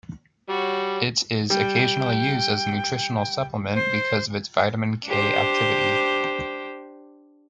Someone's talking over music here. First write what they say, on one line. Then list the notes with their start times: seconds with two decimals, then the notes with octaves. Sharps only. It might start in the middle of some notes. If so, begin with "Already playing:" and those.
It is occasionally used as a nutritional supplement because of its vitamin K activity.
0.49 G3 F#4 C#5
1.50 G3 G5
3.74 C5
5.06 D4 G4 C5